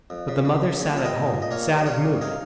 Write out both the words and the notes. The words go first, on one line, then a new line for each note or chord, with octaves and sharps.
But the mother sat at home, sad of mood.
F2
C#3
C#3
C#3
A#2 G#5
G5
C2 F5
D#5 G5
A#2
A#2
D#5
A#3 C#5 F5
G3
D#5
G3 C#5 F5
C2
D#4 F5 G#5